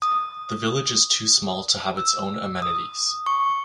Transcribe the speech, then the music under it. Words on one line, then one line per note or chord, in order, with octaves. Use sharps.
The village is too small to have its own amenities.
D#6
E6
D#6
C#6